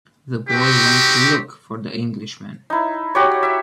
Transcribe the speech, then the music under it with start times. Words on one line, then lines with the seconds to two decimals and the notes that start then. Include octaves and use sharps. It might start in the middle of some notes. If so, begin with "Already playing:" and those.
The boy went to look for the Englishman.
0.49 C4 D#4 F#4 G4
2.70 D#4 E4
3.15 F#4 G4 C#5
3.43 E5